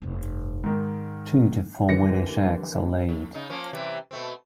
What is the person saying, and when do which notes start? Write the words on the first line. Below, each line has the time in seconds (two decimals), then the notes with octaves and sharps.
Two to four whitish eggs are laid.
0.02 F1 G2
0.63 G#2 D#3 G#3
1.89 D#2 D3 E3 F#3 A#6 C#7
3.09 A2
3.34 C#3 D#4
3.50 F3 A#3 C#4
3.73 C3 E3 G3
4.11 B2 A3 C4